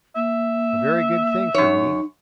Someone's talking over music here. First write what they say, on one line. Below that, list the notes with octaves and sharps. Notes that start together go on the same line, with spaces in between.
A very good thing for me.
A#3 E5
F#2 D#4 C#5